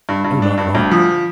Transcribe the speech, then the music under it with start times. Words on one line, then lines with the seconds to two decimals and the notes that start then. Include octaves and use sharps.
'O--not at all.
0.09 G2
0.24 G2
0.42 D4
0.58 G2
0.75 D2
0.91 F3